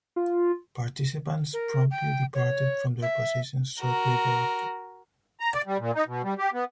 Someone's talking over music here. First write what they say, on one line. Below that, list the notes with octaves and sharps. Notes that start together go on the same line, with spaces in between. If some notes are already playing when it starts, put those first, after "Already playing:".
Participants promptly departed from their positions shortly thereafter.
F4
A#4
G5
C#5
E5
F#4 A#4
A#5
D5
G3
A#2
D#4
B2
G3
G4
B3